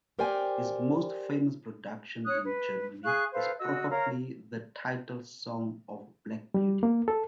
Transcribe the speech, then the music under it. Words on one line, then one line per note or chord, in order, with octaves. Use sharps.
His most famous production in Germany is probably the title song of Black Beauty.
G4 A#4 C5 D5 G5 G#5
C#5 D#6 F#6
B4
G#4 F5 C#6 F#6
A4 B4 C5 F5
F#4 D#5 E6
A#4 C#5 F5 A#5
G3
A#3
A4